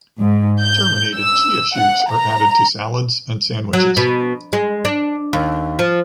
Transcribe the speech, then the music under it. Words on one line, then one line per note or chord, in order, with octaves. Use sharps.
Germinated chia shoots are added to salads and sandwiches.
G#2
G6
E6
F#5
A#5
F#3
B2
G#3
D4
D#2
F3